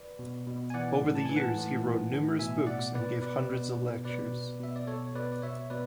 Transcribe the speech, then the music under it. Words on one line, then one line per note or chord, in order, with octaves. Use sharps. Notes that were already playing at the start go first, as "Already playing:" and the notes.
Over the years he wrote numerous books and gave hundreds of lectures.
Already playing: B4 D5
B2
B2
G#5
E3 D5 F#5
A2
A5
E3 G#5
F#5 A5
A2
E3
A2
B2 E5 G#5
B2 D5 F#5
B2 B4 D5
B2 B4 D5
B2
B2
B2 B4 D5
B2
B2 E5
D5
B2 A4 C#5
B2 B4 D5
D5
B2 C#5 E5
B2 B4 D5